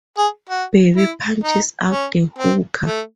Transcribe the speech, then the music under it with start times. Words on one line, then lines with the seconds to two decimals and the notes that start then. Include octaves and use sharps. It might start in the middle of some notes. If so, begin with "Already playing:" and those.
Babe punches out the hooker.
0.18 G#4
0.49 F#4
0.97 E4
1.44 D#4
1.91 C#4
2.39 C4
2.86 A3